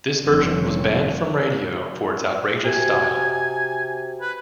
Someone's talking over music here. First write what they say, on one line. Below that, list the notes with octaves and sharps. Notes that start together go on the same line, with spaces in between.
This version was banned from radio for its outrageous style.
F1 G2 F3 C4 C#4
C3 F#4 G#5
B4